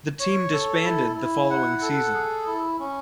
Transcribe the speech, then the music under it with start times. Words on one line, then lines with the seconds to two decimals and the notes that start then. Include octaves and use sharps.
The team disbanded the following season.
0.19 C#5
0.52 A4
0.84 E4
1.16 E4
1.50 F#5
1.82 A4
2.14 G#4
2.46 E4
2.79 C#4